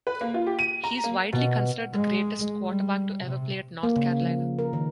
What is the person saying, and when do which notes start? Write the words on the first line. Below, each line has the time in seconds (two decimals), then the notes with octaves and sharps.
He is widely considered the greatest quarterback to ever play at North Carolina.
0.07 B4
0.21 A#3
0.34 F4
0.47 G4
0.59 D#7
0.84 A#5
1.04 A#3
1.33 B2
1.93 G#3
2.66 G3
3.25 C3
3.83 A#3
3.96 C#3
4.22 F3
4.59 A#4
4.73 D#3